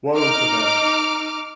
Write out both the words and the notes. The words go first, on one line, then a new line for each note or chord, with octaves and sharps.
Woe unto them!
D#4 D6 F6